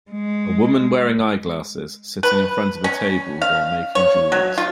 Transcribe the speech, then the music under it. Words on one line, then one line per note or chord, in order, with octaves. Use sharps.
A woman wearing eyeglasses, sitting in front of the table while making jewelries.
G#3
B4
C#4
F5
C#5
F#3
F4